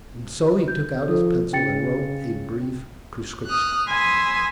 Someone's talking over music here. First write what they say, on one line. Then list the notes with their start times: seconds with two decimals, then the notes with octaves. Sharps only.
And so he took out his pencil and wrote a brief prescription.
0.68 G6
1.08 F3 A4
1.53 C#3 G5 A6 C#7
3.47 D#6 F6 F#6
3.87 G#5 B5 C6 D#6 E6